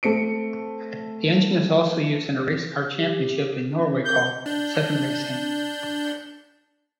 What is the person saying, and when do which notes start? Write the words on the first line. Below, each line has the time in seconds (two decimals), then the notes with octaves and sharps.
The engine is also used in a racecar championship in Norway called SevenRacing.
0.03 A3 C4 C#7 D7
2.94 G4
3.68 D4
3.83 C#4
4.05 A#4 G6
4.46 D4 G6